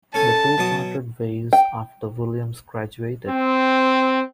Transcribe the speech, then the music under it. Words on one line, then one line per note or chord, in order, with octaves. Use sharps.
The two parted ways after Williams graduated.
C#4 A4 G#5 A5
B2 F#3 D#6
G5
C4